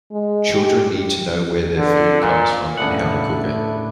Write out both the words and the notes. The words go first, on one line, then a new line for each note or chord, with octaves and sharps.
Children need to know where their food comes from and how to cook it.
G#3
G4
D3
A#2
A2 C#3 G3 A3 B3 D4 F#5